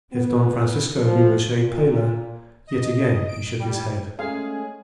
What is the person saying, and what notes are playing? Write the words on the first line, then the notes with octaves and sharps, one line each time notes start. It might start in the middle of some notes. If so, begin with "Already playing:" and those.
If Don Francisco grew a shade paler, yet again he shook his head.
B3
F3
A#2
D#5
D7
G3
G#3 A3 C#4 G#4 F5